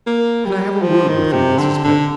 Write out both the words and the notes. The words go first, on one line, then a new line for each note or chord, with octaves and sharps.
"Can I have a word with you, Mrs. Pett?"
A#3
G3
F3
D#3
C3
D3
D3